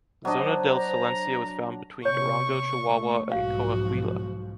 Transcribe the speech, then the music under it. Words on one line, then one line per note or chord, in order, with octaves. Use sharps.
Zona del Silencio is found between Durango, Chihuahua, and Coahuila.
F#3 D4 C5 D#5
A#5
C3 C#5 C#6
A3
B1 G#2 F3 F#4 F5